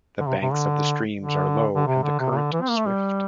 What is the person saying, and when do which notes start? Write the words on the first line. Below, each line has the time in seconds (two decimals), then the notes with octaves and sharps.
The banks of the Steams are low and the current Swift.
0.20 D3
0.27 C3
0.42 C3
0.53 D3
1.20 D3
1.75 D3
1.87 C3
2.03 D3
2.19 C3
2.31 C3
2.37 D3
2.53 E3
2.61 C4
2.70 A#3
2.77 A3
2.86 G3